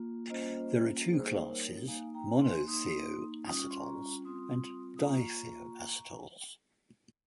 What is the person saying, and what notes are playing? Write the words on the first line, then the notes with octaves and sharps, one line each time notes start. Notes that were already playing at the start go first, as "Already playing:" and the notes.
There are two classes: monothioacetals and dithioacetals.
Already playing: A#3 F4
G3 A#3 C#4 F4 C5 D#5
G3 A#3 D#4 G#4 C5
C5
A#4 C#5
A#3 D#4 F5 G#5
G5 A#5
G#5 C6
A#3 D#4 C6 D#6
G3 C#4 F4 D#6
C#6
C6
A#5 C#6
G3 C4 F4 C6 D#6
D#6
A#3 F4 A#5 C#6